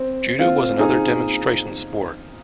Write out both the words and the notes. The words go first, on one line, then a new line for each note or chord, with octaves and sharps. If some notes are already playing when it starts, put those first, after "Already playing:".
Judo was another demonstration sport.
Already playing: C4
C4 F4
D#4 G#4